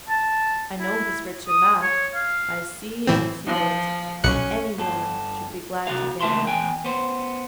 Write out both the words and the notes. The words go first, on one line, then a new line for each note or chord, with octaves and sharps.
I know he's rich in that; I see and feel it; and any woman should be glad to get it.'
A5
E4
D#6
C#5
F5
A2 E3 C4
F3
B1 C#4 F#6 C#7
G2 A4
C3 D#3 F#4 F5
C#2 A3 A#4 E5 A5 C6
E2 G5 G#5
B3 C5